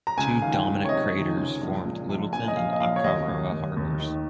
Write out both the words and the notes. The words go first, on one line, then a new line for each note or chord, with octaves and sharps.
Two dominant craters formed Lyttelton and Akaroa Harbours.
A#5
C#2 G#5
D#3 F5
G5
C#2
C#5
C3 D#5
D#3
C#2
A#1
A#2
A#1
A#1 G#5
D#5
A#1 F5
D#5
A#1 F5
C#5
D#2 D#5
D#2
D#2
D#2
D#3